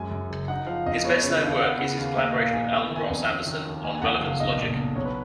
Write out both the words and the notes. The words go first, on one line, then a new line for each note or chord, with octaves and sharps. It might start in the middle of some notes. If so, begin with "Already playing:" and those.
His best-known work is his collaboration with Alan Ross Anderson on relevance logic.
Already playing: F#2 G#3 G#5
F#2
F#1
D#4 F#5
F3 F5
F2 D#5
B3 C#5
D#5
C#3 C#5
D#2 F5
B3 F#5
C#3 F#5
D#2 F5
A#3 D#5
A#2 F5
A#1 G#5
B3 G#5
D#3
G#5
F2
C#4
D#3
D#2
A#3 G#5
G#5
F2 F#5
F#1 F5
B1 D#5
A#2
B1
B1 C#5
B4